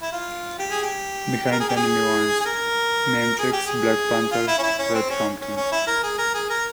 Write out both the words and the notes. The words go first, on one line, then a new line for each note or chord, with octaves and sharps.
"Behind Enemy Lines" namechecks Black Panther Fred Hampton.
E4
F4
G4
G#4
G4
A#4
G#4
G4
G#4
G#4
A#4
G#4
G4
G#4
F4
E4
C#4
E4
C#4
C4
C#4
C#4
C#4
E4
A#4
G#4
A#4
G#4
A#4